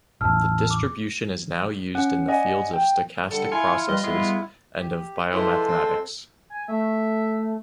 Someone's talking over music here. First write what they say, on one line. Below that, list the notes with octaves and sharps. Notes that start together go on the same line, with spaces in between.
The distribution is now used in the fields of stochastic processes and of biomathematics.
A1 E2 A5 E6 F6
D6
C#4 F#5 F#6
D5 D#5 F#5 G#5
G5
D3 G3 A4 C#7
E4 F4 G#5
G3 B4 D#5
G#3 B3 E4 F4
G4
E3 G#3 F4 A4 C5
C4
G#5
A3 E5